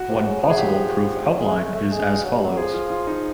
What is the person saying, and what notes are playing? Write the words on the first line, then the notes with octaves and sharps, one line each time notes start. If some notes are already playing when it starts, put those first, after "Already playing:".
One possible proof outline is as follows.
Already playing: F#4
C3
C#3
F3
G#4
F#3 G4
F3
F#3
G#3
A3
A3
G#3
F#3
G3
F#3
F3 G#4
F4
F4
D#4